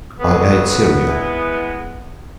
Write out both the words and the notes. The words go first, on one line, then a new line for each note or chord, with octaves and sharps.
I ate cereal.
F2 C#3 F#3 B3
E3 G#3